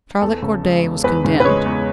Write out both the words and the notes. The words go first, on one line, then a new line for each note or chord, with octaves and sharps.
Charlotte Corday was condemned.
E2 A4
C#3
G#3
E2
E2 B4
C#3
B4
G#3 C#5
E2